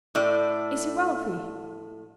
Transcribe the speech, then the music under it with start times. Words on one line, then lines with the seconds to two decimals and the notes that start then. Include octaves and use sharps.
Is he wealthy?'
0.15 A2 D5